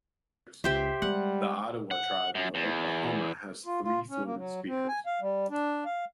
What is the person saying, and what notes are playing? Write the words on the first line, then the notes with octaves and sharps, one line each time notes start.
The Ottawa Tribe of Oklahoma has three fluent speakers.
C#2 G4 C5 E5
G3 G#3 B3 F#5
F#5
F#2
E2
F4
F4
C#4
A#3
F#3
C4
G#5
F5
G3
D4
F5